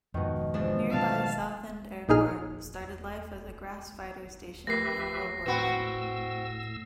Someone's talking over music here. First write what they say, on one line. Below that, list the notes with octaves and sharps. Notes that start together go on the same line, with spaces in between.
Nearby Southend Airport started life as a grass fighter station in World War One.
F2 G#2 B2 D#3
E3 F3 G#3 D4
B2 F#3 F5 A5
A#1 A#2 D#4 G#4 F6
A3 G4 A#4 B4 E5 A#6 C7
A2 C4 F#4 B4 G5 B5 E6